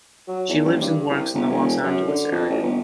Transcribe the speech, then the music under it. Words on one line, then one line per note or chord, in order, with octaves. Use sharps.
She lives and works in the Los Angeles area.
F#3
E2
F#1
G2
C2
G1
E1
F#2
D3
F2
A1
G1